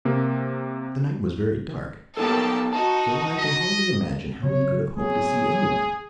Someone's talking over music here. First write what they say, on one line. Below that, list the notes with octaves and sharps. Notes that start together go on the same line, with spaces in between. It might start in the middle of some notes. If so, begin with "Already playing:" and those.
The night was very dark, so that I can hardly imagine how he could have hoped to see anyone.
C3 A#3
A#3 B3 D#4 G4 A4 A5
D#4 F#4 A5
D#5
C#3 F#3 C#5
F#3 A3 B3 C4 G#4